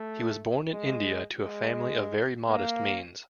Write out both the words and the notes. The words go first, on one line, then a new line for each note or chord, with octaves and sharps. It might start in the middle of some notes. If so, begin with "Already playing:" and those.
He was born in India to a family of very modest means.
Already playing: A3
G#3
G#3
A#3